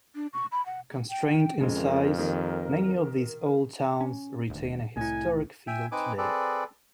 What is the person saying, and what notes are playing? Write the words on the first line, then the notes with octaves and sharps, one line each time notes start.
Constrained in size, many of these old towns retain a historic feel today.
D4
C#6
B5
F#5
G5
F2 C#3 G#3 A#4
D#3 G3 A#3
C#4
D#1 D2
C2 A2 A3 E4 G#5
E5 G5 G#5
C4 D#4 B4 G#5 D6
C4 G#4 A4 B4 D5